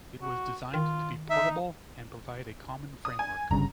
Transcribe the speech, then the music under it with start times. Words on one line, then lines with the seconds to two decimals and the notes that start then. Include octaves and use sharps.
It was designed to be portable and provide a common framework.
0.22 F#4
0.74 D#3 F4
1.30 D#4 E5
3.05 D#6
3.19 G#5
3.51 G1 G2 C#3 A#5